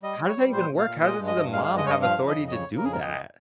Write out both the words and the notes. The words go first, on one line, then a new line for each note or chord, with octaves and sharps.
How does that even work? How does the mom have authority to do that?
G3 D#5
G3
C#5
G3
A#2 C5
A#2
F5
A#2
G#3 D#5
G2
D#5
G2
G#3 F5
F5
G2
D#5
G2 C#5 D#5
F3 F5
C#3
D#5
F2
D#5
C#3 C#5
C#3
A#4
F2 G#4
A#4
F2 D#5